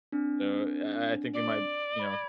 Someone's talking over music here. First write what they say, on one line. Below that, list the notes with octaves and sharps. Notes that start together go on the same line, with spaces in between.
so I I think we might, you know,
C4 D4
D5
B5 G#6